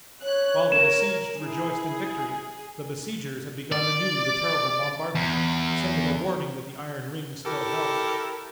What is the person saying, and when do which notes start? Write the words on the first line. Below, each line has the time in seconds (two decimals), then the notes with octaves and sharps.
While the besieged rejoiced in victory the besiegers had begun anew the terrible bombardment, sending a warning that the iron ring still held.
0.23 C#5 F#6
0.72 A#4 E7
1.40 E4 G#4
3.72 D5
5.15 E2
7.45 E4 G4 A4 A#4